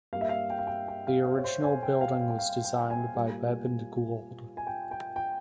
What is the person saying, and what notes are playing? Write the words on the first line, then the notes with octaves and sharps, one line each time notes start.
The original building was designed by Bebb and Gould.
G2 G3 A#3 F5
E5
F5
G5
F5
G5
G5
F5
C5
C#5
C5
G#5
G5
F5
F5
G5
F5
G5
G#5
A#2 G3 A#3
G#5
G5
G5
G5